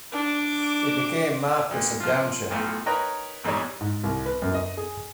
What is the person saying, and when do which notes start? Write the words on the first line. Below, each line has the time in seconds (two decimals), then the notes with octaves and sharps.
He became Marquess of Downshire.
0.12 D4 D6
1.71 D2
2.00 F3 F4
2.50 B1 A2 F4 G5
2.86 D#4 A#4 B4 C#5 G5 A#5
3.44 A#1 E2 G#2 G3 D#4 C#5
3.81 G#2
4.03 C2
4.26 B4
4.42 F#2
4.54 D#5
4.77 G#4